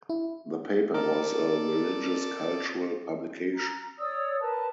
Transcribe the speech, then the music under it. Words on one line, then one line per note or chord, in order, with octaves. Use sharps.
The paper was a religious cultural publication.
E4
A4 A#4 D5
A#5
C#5 D5 D#6 E6
A#4 B4 A5